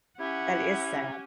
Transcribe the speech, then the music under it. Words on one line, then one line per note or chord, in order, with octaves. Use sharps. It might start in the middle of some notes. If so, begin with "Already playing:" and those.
That is sad.
C#4 E4 G4 F#5 G#6